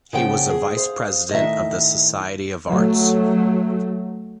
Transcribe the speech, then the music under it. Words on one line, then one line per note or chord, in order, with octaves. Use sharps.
He was a vice-president of the Society of Arts.
C#3 F3 A#3 F#5 G5
G#4
C5 F5
A2 D#3 D#4 D#5 E5
F#3 A3